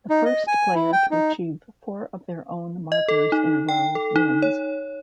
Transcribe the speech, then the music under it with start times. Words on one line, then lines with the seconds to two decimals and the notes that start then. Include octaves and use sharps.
The first player to achieve four of their own markers in a row wins.
0.10 D#4
0.25 D#5
0.47 G#5
0.75 E4
0.93 G5
1.11 D#4
2.92 D#5
3.08 A4
3.32 D#4
3.69 G5
3.95 A4
4.16 D#4
4.42 C#5